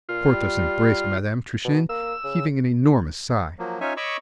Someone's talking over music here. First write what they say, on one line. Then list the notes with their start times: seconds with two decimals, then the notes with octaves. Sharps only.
Porthos embraced Madame Truchen, heaving an enormous sigh.
0.09 A#2 F4
0.32 G3
1.64 B2
1.89 A#3 E6
2.24 C#3
3.59 F3 F#3 A#3
3.81 C#4 D#4 F4 C#5 E5 G#5
3.97 C#5 D#5 B5 C#6 D6 E6